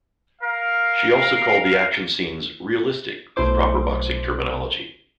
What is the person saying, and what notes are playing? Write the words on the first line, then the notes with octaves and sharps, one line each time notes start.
She also called the action scenes "realistic" with proper boxing terminology.
A#4 F5
B1 A3 E4 C5 D6